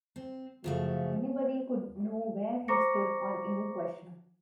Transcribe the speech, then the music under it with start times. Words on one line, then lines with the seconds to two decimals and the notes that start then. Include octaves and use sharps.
Anybody could know where he stood on any question.
0.16 C4
0.64 F#2 C#3 F3 A3
2.68 C5 A#5 C#6 D6 A#6 C#7